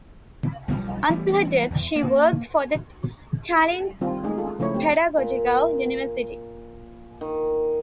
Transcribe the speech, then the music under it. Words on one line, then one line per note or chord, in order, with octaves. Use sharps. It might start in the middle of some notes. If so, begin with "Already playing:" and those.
Until her death, she worked for the Tallinn Pedagogical University.
B1 F3 G3
E3 G3 A3 B3
E2
A#3
D#3 G3 C4 F4
G#3 A3 D#4 G#4
F4 G#4 A4
C#3 F3 A3 E4 C#5
A3 C4 G4
A#2
D#3